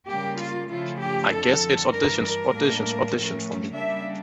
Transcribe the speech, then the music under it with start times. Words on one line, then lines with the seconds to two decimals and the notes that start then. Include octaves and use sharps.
I guess it's auditions, auditions, auditions for me.
0.08 C#3 G3 A#3 G4
0.38 F4
0.69 C#3 F3 A3 E4 F4
0.99 G4
1.30 F2 D3 F3 A4
1.91 G2 E3 G3 D4 A#4
2.21 A#4
2.51 A2 G3 A#3 D4
3.12 A2 F3 A3 C#4
3.72 C#3 G3 A#3 D4 E5